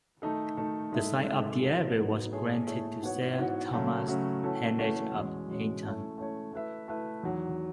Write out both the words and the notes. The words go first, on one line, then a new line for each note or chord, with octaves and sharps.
The site of the abbey was granted to Sir Thomas Heneage of Hainton.
D#3 A3 D#4 A4
D#3 A3 D#4 A4
G#3 D#4 A4 E5
G#3 D#4 A4 E5
F#3 B3 D#4 A4
F#3 B3 D#4 A4
A3 E4 G#4 C#5
A3 E4 G#4 C#5
G#2 E3 B3 F#4 C#5
G#2 E3 B3 F#4 C#5
C#3 F#3 A3 C#4
C#3 F#3 A3 C#4
E3 A3 C#4 F#4 A4
E3 A3 C#4 F#4 A4
E2 B2 G#3 C#4
E2 B2 G#3 C#4
A3 C#4 E4 A4 C#5
A3 C#4 E4 A4 C#5
A3 E4 B4 E5
A3 E4 B4 E5
E2 D#3 F#3